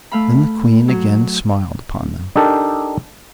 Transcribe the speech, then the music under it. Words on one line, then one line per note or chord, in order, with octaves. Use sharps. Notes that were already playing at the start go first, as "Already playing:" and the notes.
Then the Queen again smiled upon them.
A3 F5 B5
F#3
D4 D#4 G4 A4 A#4